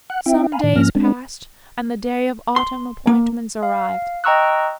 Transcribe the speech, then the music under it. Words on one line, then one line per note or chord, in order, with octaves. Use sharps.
Some days passed, and the day of autumn appointments arrived.
F#5 F#6
C4 E4 E5 G5
F5 G#5 A#5 B5
A2 D#3
G#2 F3 A#3 C#4 F6 A#6
G#3 C4 D4
C6
A#3
F5
D#5 G5 A#5 C#6 E6 F#6